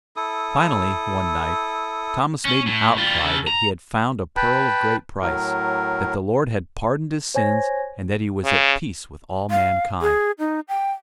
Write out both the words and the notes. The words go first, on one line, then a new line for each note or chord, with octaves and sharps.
Finally, one night, Thomas made an outcry that he had found a pearl of great price, that the Lord had pardoned his sins, and that he was at peace with all mankind.
E4 A4 D#6
C#4
A2
G3 F4
C#3 A4
A#5
B4 G5 A5 B5
A2 F#3 A#4
C5 C#5 G#5 G#6 A#6
C#3
F5
G#4
D#4
G5